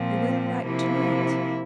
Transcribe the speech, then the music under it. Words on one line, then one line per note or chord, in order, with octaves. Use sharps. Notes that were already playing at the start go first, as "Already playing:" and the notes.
'You will write to-night?
Already playing: A#2 F3 C4
C3 F3 A#3 E4